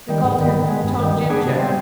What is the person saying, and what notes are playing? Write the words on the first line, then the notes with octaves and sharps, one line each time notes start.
They called him Tom-Jim-Jack.
D#3 G3
G#2
D#3 G3 B3
D#3
G#3 B3
G2
D#3 G3
D#3
B3 D4 G#4
C3
G3 C4